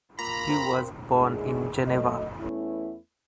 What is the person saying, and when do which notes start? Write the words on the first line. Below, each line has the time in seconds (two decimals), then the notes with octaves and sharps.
He was born in Geneva.
0.19 A#2 A#5 B5
0.49 C4 A#4
1.13 A2 G#3 A#3 D4 D#4 G#4
1.88 F#3 A3 D#5
2.41 E2 A3 B3 C#4 E4